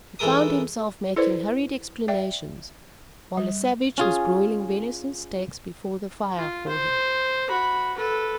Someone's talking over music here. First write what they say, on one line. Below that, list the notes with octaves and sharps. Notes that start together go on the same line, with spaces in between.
He found himself making hurried explanations, while a savage was broiling venison steaks before the fire for him.
E3 G#3 A4 A#4 D#6
E4 A4 B4 C5 D5
D5 E5 G5
G3
C#4 F4 G#4
F4
C5
F#4 B5
A4 B4